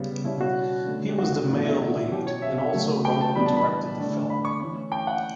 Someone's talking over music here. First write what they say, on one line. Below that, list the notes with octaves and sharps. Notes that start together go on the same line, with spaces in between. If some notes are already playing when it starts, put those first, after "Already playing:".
He was the male lead and also wrote and directed the film.
Already playing: C#3 G3 B3
B2 G3 C#4 E4
F#4
D3 A3 C#4
G4
F#4
F#4
A2 E3 B3 D4 F#4
E4
F#4
E4
B2 F#3 C#4 G4
C#5
E5
E5
C#3 F#3 A3
G5
A5
E3 G3 B3 D4 B5
A5
B5
D3 A3 D4
B5
C#6
E3 A3 C#4
G5
F#5